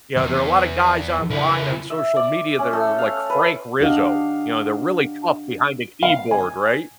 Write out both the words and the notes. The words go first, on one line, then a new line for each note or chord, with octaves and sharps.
You know, there are a lot of guys online on social media that are like Frank Rizzo, you know, they're really tough behind the keyboard, right?
E2
C#3 E4
E5
D5
C#4
A3
F5
B4
D4 G4 D#5 F5 F#5
F5
G#5